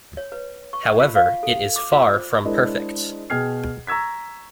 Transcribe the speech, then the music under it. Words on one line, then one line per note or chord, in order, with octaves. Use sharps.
However it is far from perfect.
C#5
B4
C#6
F4
F5
A4
D6
F4
C5
G#3 D4 E4 A#4 C5 D#5
B2 G#4 G5 F6 G#6 C7
A#5 C#6 E6 G#6 B6